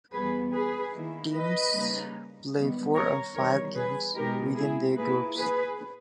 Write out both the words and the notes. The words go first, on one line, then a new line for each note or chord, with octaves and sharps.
Teams play four or five games within their group.
E2 B2 G3 B3 G#4 B4
G#4 B4
D#3 A#3 E4
B4 D#5
C#3 G3 A#3 D#4
D#3 G3 B3
A#4 C#5
E2 D#3 G3 A#4 C#5
G#4 B4
B2 G#3 D#4 G4 A#4
E4 G#4
A#2 A#3 E4 G#4 B4
G#4 B4